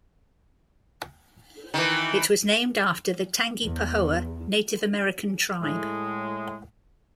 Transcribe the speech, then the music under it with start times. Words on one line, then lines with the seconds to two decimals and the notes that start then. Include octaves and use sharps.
It was named after the Tangipahoa Native American tribe.
1.74 D#3 E3
3.64 E2
5.61 A2 G#3